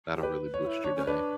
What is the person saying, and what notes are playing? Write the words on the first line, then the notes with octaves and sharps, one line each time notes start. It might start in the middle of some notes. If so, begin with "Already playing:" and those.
That'll really boost your day.
G4
B4
C#5
G4
E4
D4 C#5
C#4
D4 B4